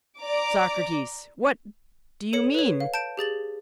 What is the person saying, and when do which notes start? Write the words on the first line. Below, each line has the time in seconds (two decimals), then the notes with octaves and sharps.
SOCRATES: What do you mean?
0.19 D5 A#5 D6
2.33 A4 C#5 C#7
2.54 B4 C#5
2.80 F5
2.94 A5 G6 D7
3.17 G4 G#4 A6 F#7